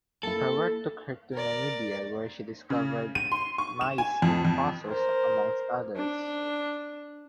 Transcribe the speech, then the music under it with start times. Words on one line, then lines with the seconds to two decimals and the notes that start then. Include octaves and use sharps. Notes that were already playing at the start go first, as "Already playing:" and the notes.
Her work took her to Namibia where she discovered Miocene fossils amongst others.
0.23 A#3 E4 A4
1.33 A#4 D5
2.70 C#3
3.15 D#7
3.32 C6
3.58 C#6
3.81 E7
3.98 G#5
4.22 F2
4.45 F2
4.88 A#4 C5
5.96 D4